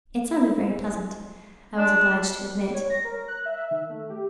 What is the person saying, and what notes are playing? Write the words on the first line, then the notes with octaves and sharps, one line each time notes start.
It sounded very pleasant, I was obliged to admit.
D4
C#5
A#6
A#4
F#6
E5
E5
D#3
A3
G4